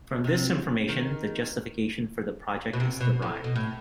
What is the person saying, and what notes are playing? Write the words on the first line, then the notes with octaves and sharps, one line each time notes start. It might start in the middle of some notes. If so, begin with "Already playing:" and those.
From this information, the justification for the project is derived.
C3
D#3
B2
C3
B2
A2
B2
A2